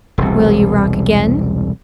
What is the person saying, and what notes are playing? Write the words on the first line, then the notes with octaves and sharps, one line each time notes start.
"Will you rock again?"
E1 C2